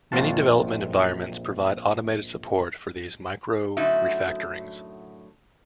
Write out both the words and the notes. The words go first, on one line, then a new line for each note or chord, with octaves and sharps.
Many development environments provide automated support for these micro-refactorings.
A#1 F2 F4 F#4 A5
F#2 A2 D3 D#4 F#4 E5